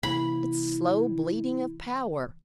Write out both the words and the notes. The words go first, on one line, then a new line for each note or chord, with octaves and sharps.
It's slow bleeding of power.'
C3 E3 A#3 E4 B5